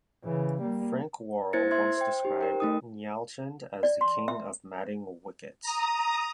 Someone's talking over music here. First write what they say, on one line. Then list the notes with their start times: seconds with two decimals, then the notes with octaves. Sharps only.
Frank Worrell once described Nyalchand as the 'king of matting wickets'.
0.24 C#3 E3
0.62 G3 A#3
1.53 A#3 E4 C5 G#6 A6 C#7
1.71 E5 C6 G#6
1.97 C5 G5
2.23 D#4 G4 C5
2.41 A#4 G5
2.60 A3 D#4 D#6
3.83 D5
4.01 C6
4.28 E5
5.62 A#5 D#6